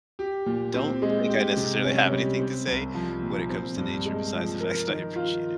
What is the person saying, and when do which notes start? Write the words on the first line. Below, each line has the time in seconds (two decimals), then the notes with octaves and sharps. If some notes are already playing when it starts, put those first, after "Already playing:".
don't think I necessarily have anything to say when it comes to nature besides the fact that I appreciate it.
0.19 G4
0.46 A#2
0.74 C4
1.02 G#3
1.29 G4
1.57 C3
1.84 C#4
2.12 G3
2.40 C4
2.67 C2
2.95 F3
3.22 A#2
3.50 C4
3.77 G2
4.06 G#3
4.33 F3
4.60 A#4
4.88 D#3
5.16 F4